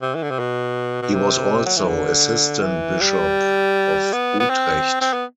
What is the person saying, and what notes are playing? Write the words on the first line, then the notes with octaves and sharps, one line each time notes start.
He was also assistant bishop of Utrecht.
C3
E3
D3
C3
B2
B2
C3
F#3
E3
D3
E3
G3
B3
B3
C4
C4
B3